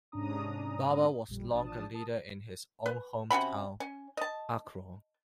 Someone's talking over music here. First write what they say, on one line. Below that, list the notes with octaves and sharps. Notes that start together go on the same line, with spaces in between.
Barber was long a leader in his own home town, Akron.
G#2 C3 C#4 D4 A#5 D#6
A1 F2 A#2 G3
A1 F3 D4 A5 D#6
A#4 A5 D#6
B4
C3 C#4 F#4 B5
C#4
D#5 A5